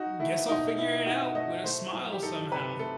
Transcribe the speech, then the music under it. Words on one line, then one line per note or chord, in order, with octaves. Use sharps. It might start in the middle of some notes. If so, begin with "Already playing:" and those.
guess I'll figure it out with a smile somehow."
Already playing: D#4 F#4
A3 E4
B2 D#4
B2 E4
D#4 F#4
A3 D#5
A3 C5
F#3
G4
D#4 A4
C3 B4
A3 A4